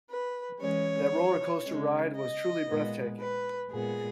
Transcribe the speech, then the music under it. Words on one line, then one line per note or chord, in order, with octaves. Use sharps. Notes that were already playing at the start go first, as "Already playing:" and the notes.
That roller coaster ride was truly breathtaking.
B4
E3 G#3 C#4 C#5
C#3 G#3 C#4
D#5
A#2 G#3 B3
B4
A#2 G#3 B3 G#4